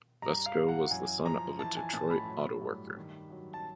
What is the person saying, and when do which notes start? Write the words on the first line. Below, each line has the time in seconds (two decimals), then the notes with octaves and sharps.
Vesco was the son of a Detroit autoworker.
0.22 G2 A#5
0.46 F5
0.58 E3
0.68 F#5
0.91 F#2 G#5
1.26 F3 A#5
1.59 E3 A5
1.77 G#5
1.93 A2 A5
2.10 B5
2.28 F#3
2.62 G2
2.97 D#3
3.30 F#3
3.54 A5